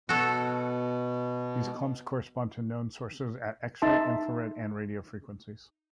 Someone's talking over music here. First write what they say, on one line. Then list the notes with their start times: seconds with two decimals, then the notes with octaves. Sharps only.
These clumps correspond to known sources at X-ray, infrared, and radio frequencies.
0.09 B2 F#4 A4 C#5
3.82 D#4 E5 A5 C6